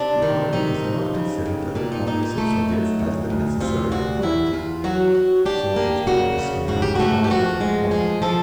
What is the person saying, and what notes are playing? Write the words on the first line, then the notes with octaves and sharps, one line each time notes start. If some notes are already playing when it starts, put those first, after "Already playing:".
"The Army does not consider that the Congress of Soviets has the necessary authority--" Soldiers began to stand up all over the hall.
Already playing: C3 D4
D#3
C3 D#4
F3
C#3
D#2
A#2 D4
D#4
A#2 D#4
D#4
A3
F#3
D2
D2
C3 F4
D2 F#4
E2 E4
E2 F4
F#3 F#4
F#3
D4 G4
A#3
C#3 F#4
C#3
G#2 F#4
G4
A3 F#4
G4
F3 F#4
G#3
F3 G#4
F3 A4